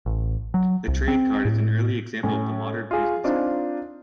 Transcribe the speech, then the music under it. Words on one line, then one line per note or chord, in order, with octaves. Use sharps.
The trade card is an early example of the modern business card.
A1
F#3
C2
C4
A2
A2 C#4
F4 G#4
C4 D4 D#4 F4